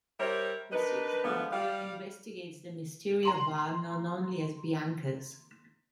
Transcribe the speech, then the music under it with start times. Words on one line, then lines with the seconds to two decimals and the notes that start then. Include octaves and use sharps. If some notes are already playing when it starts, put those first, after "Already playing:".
The Sixth Doctor investigates the mysterious bar known only as "Bianca's".
0.17 G3 A#4 C5 C#5 E5
0.71 D4 D#4 A#4 B4
1.23 D3 F3 G#3 A3 B3
1.51 G3 F5
3.23 A#5 C6 F#7